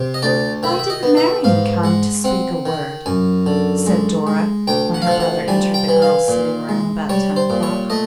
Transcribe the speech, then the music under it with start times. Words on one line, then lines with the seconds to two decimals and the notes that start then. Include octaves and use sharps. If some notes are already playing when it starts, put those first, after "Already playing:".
'Why didn't Marian come to speak a word?' said Dora, when her brother entered the girls' sitting-room about ten o'clock.
Already playing: C3
0.14 D#5
0.22 D2 D5
0.63 D#3 E5
0.79 E5
0.90 D#5
1.03 B3
1.17 E5
1.44 G#2 F5
1.84 G#3 F#5
2.24 C4 F#5
2.66 D#3
3.06 F#2 G#5
3.46 D3
3.87 G#3
4.27 G#3
4.68 D2 G5
4.94 F#5
5.02 F5
5.07 F3 F#5
5.20 F#5
5.48 G3 G#5
5.74 G5
5.89 E3
6.02 F5
6.28 A#2
6.69 G#3
7.09 G3 C#5
7.36 C5
7.50 A#2
7.63 C#5
7.90 A3 D#5